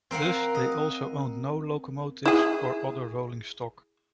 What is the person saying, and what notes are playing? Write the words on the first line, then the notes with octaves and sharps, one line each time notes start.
Thus they also owned no locomotives or other rolling stock.
C4 A#4 F5 F#5
D#5
E4 G#4